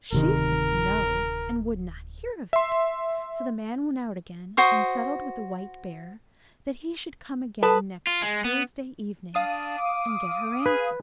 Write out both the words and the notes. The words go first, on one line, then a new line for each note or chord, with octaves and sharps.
She said no, and would not hear of it; so the man went out again, and settled with the White Bear that he should come again next Thursday evening, and get her answer.
D1 C3 D#3 A#4
E5 C6
F#4 C5 D#6
A4 B4 A5
F4
G#3
B3
D4 F5 D#6 D#7
D6
G#4 B4